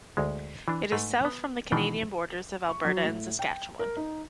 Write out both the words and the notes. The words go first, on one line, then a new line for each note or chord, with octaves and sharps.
It is south from the Canadian borders of Alberta and Saskatchewan.
D2 G#3
E3 D4
G#2 A3 B4 G#5
B3
B2 D#3 E3 D4 F#5 G5
C#6
F#3
A2
G5
A#4
D#4